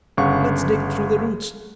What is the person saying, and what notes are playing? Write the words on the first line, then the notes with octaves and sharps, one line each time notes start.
Let's dig through the roots.
G1 C#3 F5 F#5 C#6